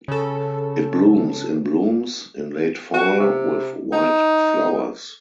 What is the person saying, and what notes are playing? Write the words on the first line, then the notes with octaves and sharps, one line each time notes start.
It blooms in blooms in late fall with white flowers.
C#3 A4
F#4
C3
D#4